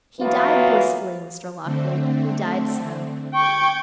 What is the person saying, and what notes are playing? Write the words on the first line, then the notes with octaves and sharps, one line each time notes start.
He died blissfully, Mr. Lockwood: he died so.
E3 F#3 A#3 B3 F4 F#4
D3 A3 C4
G5 C#6 D6 G#6